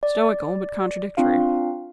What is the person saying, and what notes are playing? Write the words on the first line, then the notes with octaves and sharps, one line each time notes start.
Stoical, but contradictory.
D5
C4 D4 F4 F5